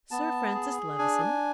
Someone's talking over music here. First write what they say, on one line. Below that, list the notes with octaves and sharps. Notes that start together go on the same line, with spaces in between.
Sir Francis Levison?
B3 A5
G#4
D4 G#5